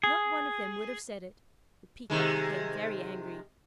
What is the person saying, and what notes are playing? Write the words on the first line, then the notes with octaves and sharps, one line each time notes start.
Not one of them would have said it. The Peacock became very angry.
G#4
C3 D#3 G#3